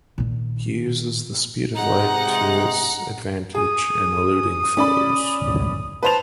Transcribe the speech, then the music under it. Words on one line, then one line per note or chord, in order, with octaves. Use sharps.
He uses the speed of light to his advantage in eluding foes.
A#2 D#3
C3 G#3 D#4 F#5 A#5
G#4 D#6
C#4 D5 B5
B4 C5 A5 F7